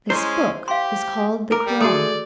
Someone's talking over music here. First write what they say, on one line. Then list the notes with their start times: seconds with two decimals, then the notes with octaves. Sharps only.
This book was called the Koran.
0.10 G#3 C#4 E4 C5
0.68 G4 F5 C6
1.52 A#4 D6
1.66 G3
1.80 A3 F#4 G#4 A4 D5